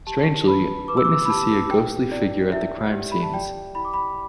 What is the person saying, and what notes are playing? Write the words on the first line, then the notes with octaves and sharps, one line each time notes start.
Strangely, witnesses see a ghostly figure at the crime scenes.
G4 A5
B4 B5
B4 D6
E6
D6
B5
G4 A5
E4 G5
E4 D5
E4 E5
G4
B5
A5
D5 G5
E4 B5
D6
B5